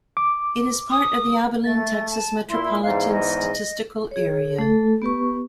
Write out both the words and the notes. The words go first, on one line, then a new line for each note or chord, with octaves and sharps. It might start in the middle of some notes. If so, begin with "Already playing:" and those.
It is part of the Abilene, Texas, Metropolitan Statistical Area.
D6
D#6
A3 A6
A5
A#2 E4 C6
E2 G#2 F5
D#5
G#4 C#5
A3 A4
B3 G4 B4 C#6